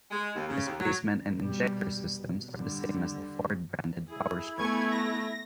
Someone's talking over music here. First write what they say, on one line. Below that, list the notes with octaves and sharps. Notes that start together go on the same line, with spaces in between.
Displacement and injector systems are the same as the Ford branded Power Stroke.
G#3
D#2
C#3
D#2
F#3
B2 G3
B2
D3 G3
E4 G#4
A3 B3 E5 G#5 C#6 G#6
A#6